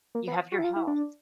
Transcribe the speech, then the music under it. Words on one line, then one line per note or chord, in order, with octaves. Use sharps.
You have your health.
A#3
B3
F#4
E4
F4
E4
D4